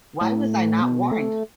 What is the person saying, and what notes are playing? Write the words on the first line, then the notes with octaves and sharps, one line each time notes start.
Why was I not warned?
A2
B2
A3